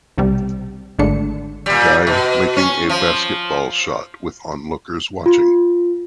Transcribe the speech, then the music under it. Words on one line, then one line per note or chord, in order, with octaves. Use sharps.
Guy making a basketball shot with onlookers watching.
B1 C3 G3
G#1 G#2 D3 A3 D4 C#7
A#2 G3
B2
C#4
F3
F4